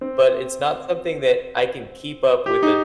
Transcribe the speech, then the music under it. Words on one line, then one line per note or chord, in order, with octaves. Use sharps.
but it's not something that I can keep up with a
C4
G4
D#4